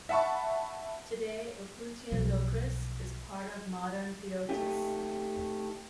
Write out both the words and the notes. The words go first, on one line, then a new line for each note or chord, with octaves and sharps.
Today, Opuntian Locris is part of modern Phthiotis.
E5 F#5 A5 B5 C#6
B1 B2 F3
A3 D#4 G4